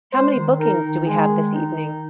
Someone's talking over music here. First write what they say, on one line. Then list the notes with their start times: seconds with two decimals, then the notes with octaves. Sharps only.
How many bookings do we have this evening?
0.12 G#3 C5
0.35 D#3
0.59 D#4 A#4
0.82 D#3
1.06 G#3 G#4
1.29 D#3
1.53 D#4
1.75 D#3